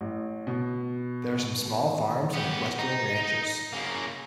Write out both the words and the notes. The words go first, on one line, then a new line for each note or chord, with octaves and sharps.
There are some small farms and equestrian ranches.
A1
B2
B3 G4
D#4
C#3 A#3